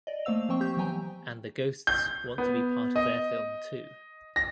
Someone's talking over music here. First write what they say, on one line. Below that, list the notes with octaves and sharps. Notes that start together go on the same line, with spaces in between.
And the ghosts want to be part of their film too.
D5 D#5
A3 A#3 C5 F5 E6 F7
F3 C4 C5 G5 C#6
G4 C#6 G6
E3 F#3 B3 G5 G#5 A#5
G6
B3
D#5
A#6